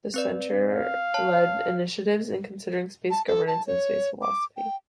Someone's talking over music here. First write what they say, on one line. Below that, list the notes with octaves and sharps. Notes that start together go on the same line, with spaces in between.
The centre led initiatives in considering space governance and space philosophy.
C4 B4 D5
F5
C#5 A5
A5
A4
A5
C#5
D6
G5